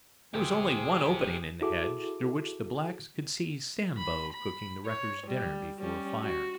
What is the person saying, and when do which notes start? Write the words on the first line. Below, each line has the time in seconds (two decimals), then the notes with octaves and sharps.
There was only one opening in the hedge, through which the blacks could see Sambo cooking the wreckers' dinner before a fire.
0.34 D#1 D2 G4 G#4 C5
1.61 E4 F#4 G#4 A4 D6
3.98 B5
4.33 B5
4.86 C#5
5.27 G3
5.79 G3 C#4
6.23 F#4